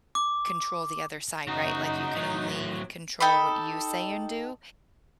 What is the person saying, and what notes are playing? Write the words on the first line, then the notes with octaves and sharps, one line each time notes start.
control the other side, right? Like, you can only control what you say and do.
D6
C#3 D#4 F#4
A2 F#3
D#4 G4 A4 B5